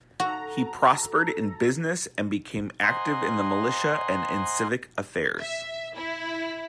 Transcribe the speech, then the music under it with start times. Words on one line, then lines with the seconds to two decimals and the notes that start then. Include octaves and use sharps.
He prospered in business and became active in the militia and in civic affairs.
0.20 F#4 A4 A#5
2.83 C5 D#5 F#5 G#5 A#5 C6
5.39 E5
5.95 E4